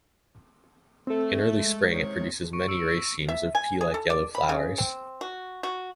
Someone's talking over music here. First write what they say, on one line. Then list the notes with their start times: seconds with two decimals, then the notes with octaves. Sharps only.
In early spring it produces many racemes of pea-like yellow flowers.
1.07 A3 C4 A4
1.59 G#3
1.91 C3 D#3 C#5
2.53 C#6 C#7 D7
2.68 E6 C#7 D7 E7
3.29 E5
3.55 G#5
3.81 G#4
3.94 A4
4.10 D5
4.35 B5
4.49 C#3
4.78 C4
5.21 F#4
5.63 F#4